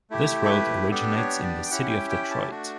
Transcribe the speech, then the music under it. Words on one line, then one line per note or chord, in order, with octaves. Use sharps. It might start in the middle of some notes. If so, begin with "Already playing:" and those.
This road originates in the City of Detroit.
A3 E4 G4
A4
B4
B3 D4 G4 A4
C#5
D5
G5
C#4 E4 G4 F#5
G5
G5
B5
A5
A3 D4 F#4